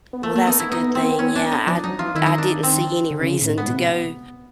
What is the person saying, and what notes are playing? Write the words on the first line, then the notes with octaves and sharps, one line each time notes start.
Well, that's a good thing, yeah, I'd I didn't see any reason to go
B3
A3 A#3
A3
B3 D#4
E4
D#4
C4
C#4
D4
D#4
F3 D4
F#3 D#4
E3 F4
D#3 E4
D#4
D4
C4
D3
C3
C#3
A2
G#2 B3
B2
C3